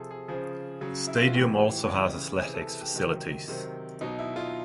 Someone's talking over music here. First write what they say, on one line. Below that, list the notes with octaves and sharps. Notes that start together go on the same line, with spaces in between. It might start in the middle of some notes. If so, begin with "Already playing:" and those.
The stadium also has athletics facilities.
Already playing: C3 F3 G#4 A4
G#4
C#3 F3 G#4
C#3 F#3
E4
F4
F#4
A2 E3 G4
C#3 E3
C3 E3 G#4
A4
G#4
G4
C3 D#3 F#3
C3 D#3 F#3
B2 F#3 D#4
E4
F4